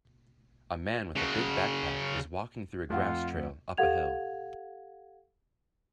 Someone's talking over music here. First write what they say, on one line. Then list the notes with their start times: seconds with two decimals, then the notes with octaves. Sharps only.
A man with a big backpack is walking through a grass trail up a hill.
1.16 C#3 F#4
2.90 F2 A3 F4 F5 F#5
3.77 G4 A4 F5 F#5 G#6 F7